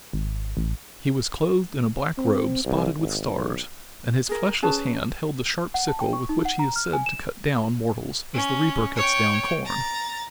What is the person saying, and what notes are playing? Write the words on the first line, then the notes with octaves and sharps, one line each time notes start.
He was clothed in a black robe spotted with stars and his fleshless hand held the sharp sickle with which he is said to cut down mortals as the reaper cuts down corn.
G#1
A1
C4
C2
G#1
B1
G#4 A#4
C#4 G#4 B4 A5
F#5
A5
G5
C#6
D#4
F#5
A#5
F6
G#5
E7
C#4
C#5 G5
A#5 A6